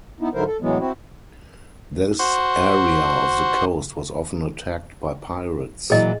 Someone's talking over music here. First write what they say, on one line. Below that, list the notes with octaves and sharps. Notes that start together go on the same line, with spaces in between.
This area of the coast was often attacked by pirates.
B3 D#4 E4
G#2 D3 F#3 E4 A#4 C5
A4
A2 E3 F#3 G#3 B3
C4 E4 F#4
F#4 C5
A#2 E3 F#3 G#4 D#5